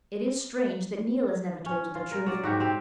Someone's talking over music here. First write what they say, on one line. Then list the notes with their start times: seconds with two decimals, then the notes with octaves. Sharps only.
It is strange that Neil has never told her the truth.
1.66 C#4
1.95 F4
2.11 A#4
2.26 F#3 D5
2.43 G#2 F#4 G4
2.60 C4 G4 G5